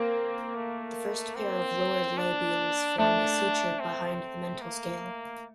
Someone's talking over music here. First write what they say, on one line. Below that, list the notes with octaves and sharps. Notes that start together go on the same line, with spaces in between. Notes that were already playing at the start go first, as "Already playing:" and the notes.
The first pair of lower labials form a suture behind the mental scale.
Already playing: A#3 C4
A3
C4
D4
A3 D4
C4
A#3